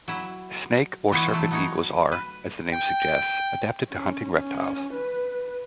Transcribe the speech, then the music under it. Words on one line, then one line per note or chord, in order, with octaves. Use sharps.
Snake or serpent eagles are, as the name suggests, adapted to hunting reptiles.
F#3 E4
E3 B3 E4 C5 C#5 D#5
E3 F#3 A3
B3 D#4 C#5
B4
G5
C#4
C#4
B4